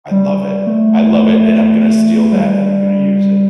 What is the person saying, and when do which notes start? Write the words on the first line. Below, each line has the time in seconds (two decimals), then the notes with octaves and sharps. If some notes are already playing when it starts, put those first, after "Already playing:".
I love it. I love it, and I'm gonna to steal that, and I'm gonna use it.
0.11 G3
0.67 A3
2.32 G3